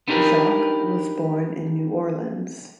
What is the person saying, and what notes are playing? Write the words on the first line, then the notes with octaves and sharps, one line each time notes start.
Jacques was born in New Orleans.
B3 D4 D#4 G4 A#4 B4